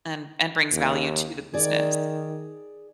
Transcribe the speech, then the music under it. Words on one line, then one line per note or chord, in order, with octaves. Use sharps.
and and brings value to the business.
D#2
D#3 G#4 D5